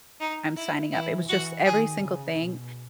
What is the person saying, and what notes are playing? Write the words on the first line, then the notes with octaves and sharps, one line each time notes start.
I'm signing up." It was just every single thing
D#4
E4
E3 E4
E3 F#4
D#3 G#4
C#3
B2